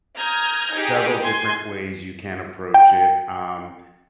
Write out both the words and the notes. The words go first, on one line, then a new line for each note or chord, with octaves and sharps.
several different ways you can approach it, um,
A#5 D#6 F6 G6 G#6
D#4 G4 G#4
G#5 C6
G5